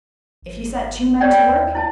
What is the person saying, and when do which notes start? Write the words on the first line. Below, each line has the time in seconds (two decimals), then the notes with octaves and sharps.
"If you set two men to work?"
0.42 G#1
1.21 C#5 D5 G5
1.47 D#2
1.75 E4 A5